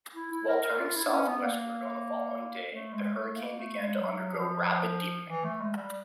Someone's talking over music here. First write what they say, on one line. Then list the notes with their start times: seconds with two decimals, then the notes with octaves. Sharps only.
While turning southwestward on the following day, the hurricane began to undergo rapid deepening.
0.15 E4
0.31 E4
0.48 A#4
0.63 A#4
0.80 F4
0.95 E4
1.06 D4
1.12 C#4
1.28 B3
1.44 A#3
2.71 A3
2.93 G#3
3.14 A3
3.36 A#3
3.57 A3
3.79 G#3
4.01 F#3
4.32 F3
5.28 E3
5.44 A3
5.61 G#3
5.76 G3